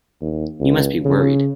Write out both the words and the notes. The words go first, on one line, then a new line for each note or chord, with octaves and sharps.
You must be worried.
D#2
C#2
C#3